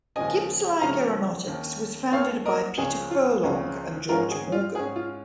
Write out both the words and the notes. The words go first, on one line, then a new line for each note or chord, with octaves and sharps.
Gippsland Aeronautics was founded by Peter Furlong and George Morgan.
D#2 C#3 F3 G#3 C#4 D#5 G#5
D#2 C#3 F3 G#3 C#4 F5 A#5
D#2 D#3 A#3 C#4
D#2 D#3 A#3 C#4 C#5 F5
A#4 D#5
C#2 C#3 F3 C#4 G#4
F4
C#2 C#3 F3 C#4
G#2 G#3 C#4 F4 A#4
G#4
F4
G#2 G#3 C#4 G#4
F4